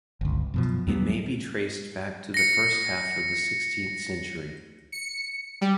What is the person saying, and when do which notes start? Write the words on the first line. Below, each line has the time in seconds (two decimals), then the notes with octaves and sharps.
It may be traced back to the first half of the sixteenth century.
0.21 G1 C#2
0.54 F#2 B2 F3
0.87 D#2 F#3 G3 B3
2.34 A#6 C#7
4.92 C#7
5.61 G3